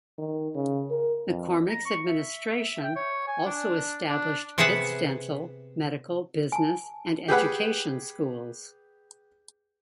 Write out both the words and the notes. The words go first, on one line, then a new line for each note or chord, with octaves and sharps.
McCormick's administration also established Pitt's dental, medical, business, and education schools.
D#3
C#3
A#4
F2
A#5
C#6
E5
G5
C#5
G#5
D4
D4
C3 B3 G#4 B4 E5 F#5
G#5 A5
G4 G#4 B4 F#5